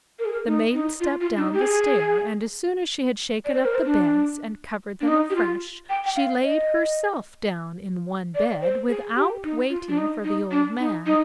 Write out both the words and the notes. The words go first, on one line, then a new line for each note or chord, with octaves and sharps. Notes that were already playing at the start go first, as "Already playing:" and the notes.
The Maiden stepped down the stair, and as soon as she had shaken up the beds and covered them afresh, she laid herself down in one bed, without waiting for the Old Man.
A#4
G#4
A#4
D#4
D#4
F4
F4
D4
D#4
G4
G#4
D5
C5
A#4
C5
D4
D4
D#4
G4
F4
G5
G5
F5
D#5
D5
C5
G#4
G4
D#4
F4
D4
D#4
D#4
D4
D#4
D#4